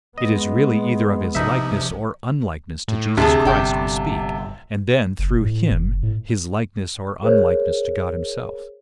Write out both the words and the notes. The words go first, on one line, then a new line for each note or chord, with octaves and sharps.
It is really either of his likeness or unlikeness to Jesus Christ we speak, and then, through Him, his likeness or unlikeness to God Himself.
G#3 B3 D#5
A#1 C3 F3 D#4 E5
A2
D2 C3 D4 G#4 A5
G1 D4 G5
F#1
A2
F#1
A2
G#4 A#4 C5 C#5